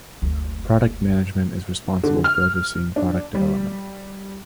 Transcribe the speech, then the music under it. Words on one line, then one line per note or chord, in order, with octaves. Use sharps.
Product Management is responsible for overseeing product development.
F#1 D2
D3
F6
D4
G3